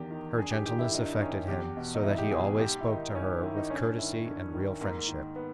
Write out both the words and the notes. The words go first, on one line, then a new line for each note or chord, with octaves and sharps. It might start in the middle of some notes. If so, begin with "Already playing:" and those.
Her gentleness affected him so that he always spoke to her with courtesy and real friendship.
Already playing: E2 D#3 G4
D#3
G2 G#4
G4
D#3 G4
E4
G2 D#4
E4
D#4
D#3 C#4
E2 G4
B2
D#4
E2 E4
G4
B2 G#4
G#4
G#2 G4
E4
D#3 D#4
G#2 C#4
D#3 E4
D#4
G2 C#4
D#3 E4
G2
D#3
G#2 A#3
D#3
B3